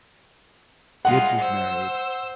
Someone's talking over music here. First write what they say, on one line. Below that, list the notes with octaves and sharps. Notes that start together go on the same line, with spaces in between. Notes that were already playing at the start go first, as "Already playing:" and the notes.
Gibbs is married.
G3 G#3 F4 F#5
C5 E6